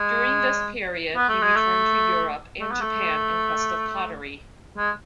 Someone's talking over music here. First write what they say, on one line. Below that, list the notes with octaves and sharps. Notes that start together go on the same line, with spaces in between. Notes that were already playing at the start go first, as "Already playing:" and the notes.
During this period, he returned to Europe, and Japan in quest of pottery.
Already playing: G#3
B3
A3
G#3
A3
A3
B3
A3
G#3